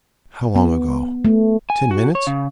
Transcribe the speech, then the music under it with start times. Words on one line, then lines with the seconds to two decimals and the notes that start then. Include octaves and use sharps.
How long ago? Ten minutes?
0.56 B3
1.25 A3
1.70 G#5
1.91 F#4
2.15 C#5
2.27 C#3